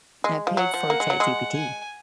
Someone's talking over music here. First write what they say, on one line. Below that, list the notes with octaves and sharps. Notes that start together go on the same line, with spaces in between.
I paid for ChatGPT
G#3
F3
F#3 F#5
F3
A#3
G#3
F#3
G#3
G#5